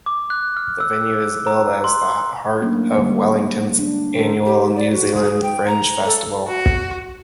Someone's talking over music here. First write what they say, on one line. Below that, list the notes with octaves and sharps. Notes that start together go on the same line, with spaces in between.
The venue is billed as the 'heart' of Wellington's annual New Zealand Fringe Festival.
D6
F#6
F6
E6
A#5
C6
F#3 A3 A#3 C#4 D4
D3 G3 G#3 A#3
B3 D4
D3 G#3 C#4 A4 A#4 C5
G4
D5
F#4
G#4
G5
A#5
A4
F#4